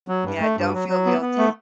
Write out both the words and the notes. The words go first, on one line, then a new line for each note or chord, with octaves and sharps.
Yeah, don't feel guilty.
F#3
G2
A3
G2
F#3
F#3
B3
B3
A3